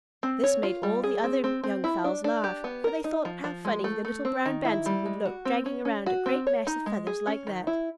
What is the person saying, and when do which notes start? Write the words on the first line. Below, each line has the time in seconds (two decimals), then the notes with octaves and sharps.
This made all the other young fowls laugh, for they thought how funny the little brown Bantam would look dragging around a great mass of feathers like that.
0.23 C4
0.44 C#5
0.63 F4
0.83 G3
1.04 G#4
1.24 C4
1.44 C4
1.64 C4
1.84 E4
2.04 D4
2.24 D4
2.44 G4
2.64 B3
2.84 A#4
3.04 D#4
3.25 F3
3.44 F3
3.65 G#3
3.84 A3
4.05 A3
4.25 C4
4.46 D#3
4.65 E4
4.86 G3
5.06 G#3
5.26 F#4
5.45 C4
5.66 C#4
5.85 C#4
6.06 F#4
6.26 C4
6.47 C#5
6.67 D#4
6.86 G#3
7.07 G#4
7.27 C#4
7.47 D#3
7.67 E4